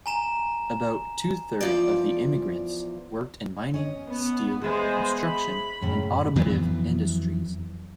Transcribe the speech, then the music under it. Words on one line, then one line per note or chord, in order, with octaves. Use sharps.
About two-third of the immigrants worked in mining, steel, construction, and automotive industries.
G#5 A#5 E7
E2 F3 D5
C#4 D#5
B3
G#3 B3 G#4 C5 E5
B5
F#2 A2 C#3
F2 E3 F#3 B3